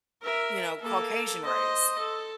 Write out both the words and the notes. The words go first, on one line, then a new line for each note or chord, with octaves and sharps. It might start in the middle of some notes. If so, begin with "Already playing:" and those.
you know, Caucasian race,
A#4 E5
A#3 A4
C5 D#5
A4